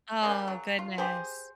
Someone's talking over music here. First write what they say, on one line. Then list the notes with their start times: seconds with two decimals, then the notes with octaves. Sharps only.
Oh goodness.
0.22 C#3 A#3 G#4 D5
0.48 F#3
0.79 F4
0.98 G4 G#4 C5